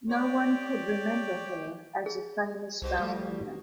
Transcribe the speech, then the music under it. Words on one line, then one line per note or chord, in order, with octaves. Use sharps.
No one could remember her as a famous ballerina.
G4 C#5 D5
G#4
C2 B2 F#4 G4 C5
G3 A3